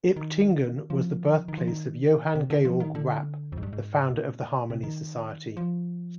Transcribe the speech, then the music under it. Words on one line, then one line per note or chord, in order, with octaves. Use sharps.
Iptingen was the birthplace of Johann Georg Rapp, the founder of the Harmony Society.
D#3
F3
D#3
F3
D#3
C3
D3
F3
D#3
D3
F2
G#2
G2
G#2
A#2
C3
D#3
F3